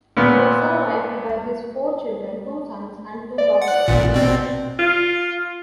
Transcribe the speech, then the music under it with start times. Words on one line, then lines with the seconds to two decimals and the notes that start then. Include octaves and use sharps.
He was survived by his four children: two sons and two daughters.
0.17 A#2 B3
3.38 D5
3.62 F#5
3.88 A1 A#2
4.14 B2 C4
4.79 F4